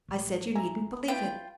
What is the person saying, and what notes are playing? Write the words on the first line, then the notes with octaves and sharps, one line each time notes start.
I said, you need n't believe it.
A1
E5 G#5 A#5
E4 F4 B4 G5